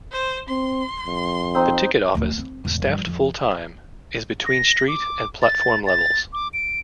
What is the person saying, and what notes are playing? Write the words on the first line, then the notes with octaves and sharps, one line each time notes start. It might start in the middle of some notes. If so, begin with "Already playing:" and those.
The ticket office, staffed full-time, is between street and platform levels.
C5
C4 C6
F2
C4 D#4
D1 A#1
C4
E1 A1
G2 F3
F2
A#6
D6
A6
A6
D6
D7